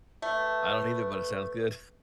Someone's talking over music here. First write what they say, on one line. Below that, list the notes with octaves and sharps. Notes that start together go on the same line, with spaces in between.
I don't either, but it sounds good.
A3 B4